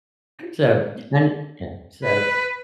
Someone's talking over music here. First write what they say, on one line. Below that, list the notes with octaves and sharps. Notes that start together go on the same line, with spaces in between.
so and Yeah, so
B4